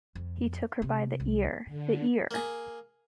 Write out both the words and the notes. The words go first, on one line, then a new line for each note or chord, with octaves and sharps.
He took her by the ear, the ear!
F2
C3
C2
D3
A#3 G#4